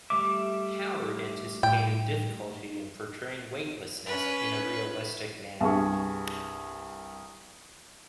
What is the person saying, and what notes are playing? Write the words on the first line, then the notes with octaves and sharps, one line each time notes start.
Howard anticipated difficulty in portraying weightlessness in a realistic manner.
G3 A3 E5 D6
A2 G5
C#4 B4
C2 G2 G#4 C#6